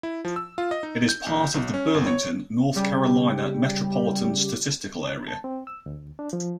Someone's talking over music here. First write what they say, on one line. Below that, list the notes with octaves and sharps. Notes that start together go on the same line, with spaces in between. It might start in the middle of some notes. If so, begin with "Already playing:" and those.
It is part of the Burlington, North Carolina Metropolitan Statistical Area.
E4
F3
E6
F4
D#5
D#4
G6
A#1
B1
C#4
G1
C#5
C#3 G3 G4
A5
C4
E6
D2
D4
F3